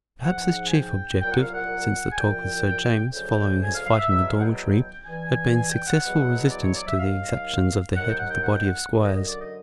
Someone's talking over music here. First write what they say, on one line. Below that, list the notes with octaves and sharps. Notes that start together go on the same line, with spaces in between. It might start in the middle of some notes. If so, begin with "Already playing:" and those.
Perhaps his chief objective since the talk with Sir James following his fight in the dormitory had been successful resistance to the exactions of the head of the body of squires.
G#2 F3 F#5
G#5
G5
C2 A#2 F#3 G5
F#5
F5
F#5
G#5
C2 A#2 F3 G5
D2 C#3 F#3 G5
G#5
F5
F5
E5
E2 B2 F#3 E5
F5
F#5
G5
G2 E3 G#5
G#5
G5
F#5
E2 B2 F#3
D5
C#5
D5
E5
D#2 D#3 F#3 F5
D#2 D#3 F#3 F#5
G5
F#5
G5
F#5
G5
F#5
F#2 D3 F#3
D#5
D#5
D5
D#5